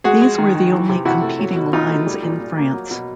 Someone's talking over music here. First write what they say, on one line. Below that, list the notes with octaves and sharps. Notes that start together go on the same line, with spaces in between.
These were the only competing lines in France.
G#3 F#4 G#4
G#3
D#3
D#3
E3
C3
C3 E4 F#4
A3
F#3
B2
B2 D#4 F4
A3
G3
A#2
A#2
A#3
F#3
B2